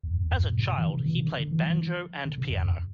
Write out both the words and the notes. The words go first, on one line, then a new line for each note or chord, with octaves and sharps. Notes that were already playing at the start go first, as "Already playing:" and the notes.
As a child, he played banjo and piano.
E2
F2
E2
F2
G2
A#2
C3
C3
E3
D3
C3
E3
C3
D3
D3
E3
F3
E3
D3
C3
F2
F2